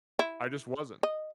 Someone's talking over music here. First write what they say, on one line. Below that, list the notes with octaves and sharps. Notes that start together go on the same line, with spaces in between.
I just wasn't.
E4
D#5